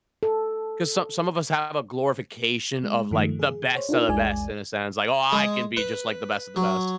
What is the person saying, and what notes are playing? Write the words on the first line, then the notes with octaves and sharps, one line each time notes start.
'cause, some some of us have a glorification of, like, the best of the best in a sense, like, "Oh, I can be just like the best of the best."
A4
G#3
G2 D#3 F3 A3
G#4
C5 C#5
D4 D#4 F4 A#4
A#1 E2 G#3 D5 G#5
G#3
B4
F#3